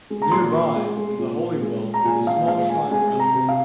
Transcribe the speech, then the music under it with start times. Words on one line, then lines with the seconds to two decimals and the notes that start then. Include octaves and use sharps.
Nearby is a Holy Well with a small shrine around it.
0.10 G#3
0.22 A#5
0.32 A#2 C6
0.53 A#2
0.76 G#3
0.97 G#3
1.19 A#2
1.40 A#2
1.61 G#3
1.84 G#3
1.94 A#5
2.04 A#2 G#5
2.27 A#2 F5
2.48 G#3 F5
2.69 G#3 G#5
2.91 G#3 G#5
3.13 C3
3.20 A#5
3.35 C3
3.49 F5